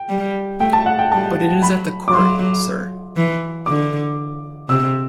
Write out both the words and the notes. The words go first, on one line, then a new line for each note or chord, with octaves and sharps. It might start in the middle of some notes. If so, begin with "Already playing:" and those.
But it is at the Court, sir.
Already playing: G5
G3
A3 G5
A5
F#5
G5
G3 A5
F#3 B5
D6
F#3 C6
E3
D3 D6
C3 E6